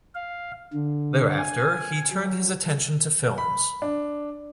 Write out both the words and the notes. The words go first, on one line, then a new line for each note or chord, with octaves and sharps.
Thereafter he turned his attention to films.
F5
D3
G#5
F#3
B5
D4